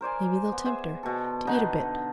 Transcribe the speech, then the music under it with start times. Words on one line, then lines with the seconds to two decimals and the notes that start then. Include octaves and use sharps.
Maybe they'll tempt her to eat a bit.
0.01 A#4 C5 D5 G#5
0.53 B3
0.65 G#4 C5 E5 G#5
1.03 B2 A4
1.47 B2 D3 B3 D#4